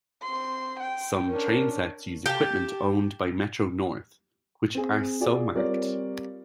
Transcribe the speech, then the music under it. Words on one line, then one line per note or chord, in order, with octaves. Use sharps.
Some train sets use equipment owned by Metro-North, which are so marked.
C4 C6
G5
C#4 D4 A#4
G4 A5
C4 G#4
F4 F#4 G#4 D5
G3 C4 F4 A#4 C#5 D5